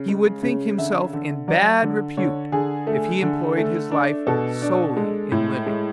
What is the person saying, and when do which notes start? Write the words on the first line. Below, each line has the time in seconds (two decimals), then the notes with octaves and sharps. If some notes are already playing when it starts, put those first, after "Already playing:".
He would think himself in bad repute if he employed his life solely in living.
Already playing: C#3
0.08 G#3
0.43 C#3
0.78 D3 E5
1.13 D3
1.48 F#3 D5
1.82 D3
2.17 D3 C#5
2.52 D3 G#4
2.87 A3
3.22 D3
3.57 A3
3.92 D4
4.27 B2 A4
4.62 D4
4.97 G#3
5.32 A2
5.66 G#3